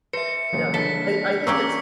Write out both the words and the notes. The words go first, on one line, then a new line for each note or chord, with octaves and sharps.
Yeah, I I think it's
B4 C5 E5 C#7
A#2 C#3 E3 F#3 G3
E3 D4 A4 A5 B6
A#3 C#4 G4 E6